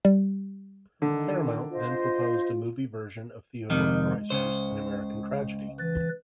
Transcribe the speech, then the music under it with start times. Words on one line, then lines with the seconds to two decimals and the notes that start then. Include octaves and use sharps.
Paramount then proposed a movie version of Theodore Dreiser's "An American Tragedy".
0.05 G3
1.02 D3 D#3
1.71 F4 C5 D#5
3.70 F2 C3 D#3 G#3
4.30 C#2 C#3 C5
5.79 E3 B4 A6